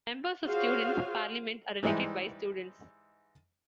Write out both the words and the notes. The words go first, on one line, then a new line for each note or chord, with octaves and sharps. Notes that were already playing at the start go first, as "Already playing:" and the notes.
Members of students' parliament are elected by students.
F4 F#4 G#4 C5 C#5 F5
G#2 E3 G3 G#3 E4